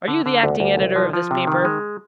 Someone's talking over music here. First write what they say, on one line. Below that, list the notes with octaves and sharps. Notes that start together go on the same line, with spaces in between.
"Are you the acting editor of this paper?"
D3
D3
D2
D2
C2
F3
F3
C3
D#3
G#3